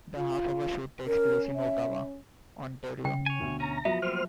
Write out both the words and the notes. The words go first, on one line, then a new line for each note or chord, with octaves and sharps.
The half-hour show takes place in Ottawa, Ontario.
F4
C#4 A#4
E5
C#3 G5
C#5 G#5
D2 B2 D3
C#4 A#5
F3 F#3 B3 F#4 E5
G3 A#3 B3 C5 F6